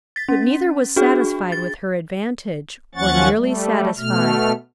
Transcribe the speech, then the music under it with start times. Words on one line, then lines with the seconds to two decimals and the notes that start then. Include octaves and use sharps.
But neither was satisfied with her advantage, or nearly satisfied.
0.16 A6 B6
0.29 C#4
0.96 D4 F#4 G#4
1.52 A6
2.95 D#2 F3 C#4 F#5 C#6 A6
3.36 G3 A3
3.98 B2 A3 F6